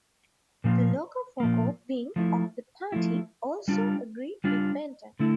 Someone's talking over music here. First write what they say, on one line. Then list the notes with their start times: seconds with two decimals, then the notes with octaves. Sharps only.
The Locofoco wing of the party also agreed with Benton.
0.64 A#2 F3 A#3
1.40 A#2 F3 A#3
2.16 F3 A3 E4
2.92 F3 A3 E4
3.68 G3 D4 F4
4.44 G3 D4 F4
5.20 D3 A3 E4